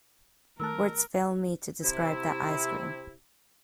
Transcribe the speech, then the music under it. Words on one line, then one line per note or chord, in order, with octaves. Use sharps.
Words fail me to describe that ice cream.
D#3 A3 A#4 A5 E6 F#6
C3 E4